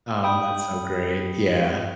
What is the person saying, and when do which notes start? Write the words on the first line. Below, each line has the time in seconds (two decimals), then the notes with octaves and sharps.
Oh, that's so great. Yeah.
0.24 G5 B5 D#6